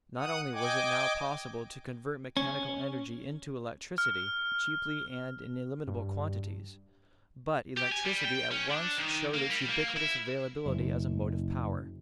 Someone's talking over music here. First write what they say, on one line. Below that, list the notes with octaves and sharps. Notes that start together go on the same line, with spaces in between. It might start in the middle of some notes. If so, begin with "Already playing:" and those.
Not only was it now possible to convert mechanical energy into electricity cheaply and in illimitable quantities, but electricity at once showed its ubiquitous availability as a motive power.
F#5 D#6
D#5 G5 G#5 D6
C#4
F6
G2
G4
G#5
G3
G5
C#4
D4
D#3
A#3
G3
A#3
E4
F#1